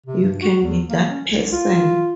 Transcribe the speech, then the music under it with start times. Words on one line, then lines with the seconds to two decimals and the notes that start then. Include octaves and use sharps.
You can be that person.
0.06 C3
0.22 G2
0.42 F#4
0.62 E2
0.89 A#3
1.10 C#4
1.27 C2
1.52 F4